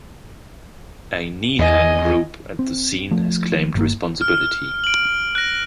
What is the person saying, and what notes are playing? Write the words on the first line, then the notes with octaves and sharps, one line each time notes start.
A Nihang group at the scene has claimed responsibility.
E2 D#5 G#5
C4
F3 A3
G1 C#3 A#3
F6
D7 F#7
F#6 A#6